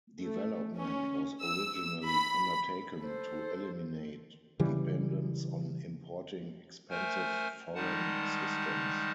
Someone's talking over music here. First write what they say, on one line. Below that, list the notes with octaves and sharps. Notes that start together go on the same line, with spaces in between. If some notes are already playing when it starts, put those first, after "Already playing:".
Development was originally undertaken to eliminate dependence on importing expensive foreign systems.
A3
C#4
E6
B5
A4 C5
C#3 E3 G3
A3 A#4 C5 G#5
D#3 G3 G#3 D#4 F#5 A5